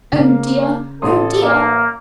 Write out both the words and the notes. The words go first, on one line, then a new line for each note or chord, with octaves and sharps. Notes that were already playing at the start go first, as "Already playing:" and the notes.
Oh dear, oh dear!
C#3 A#3
A1 A4 C6 D#6
A#3